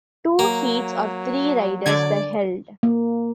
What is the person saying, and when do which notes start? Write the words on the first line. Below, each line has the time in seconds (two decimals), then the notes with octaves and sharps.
Two heats of three riders were held.
0.39 F#3 A#3
1.86 D3 D5 G#6
2.83 A#3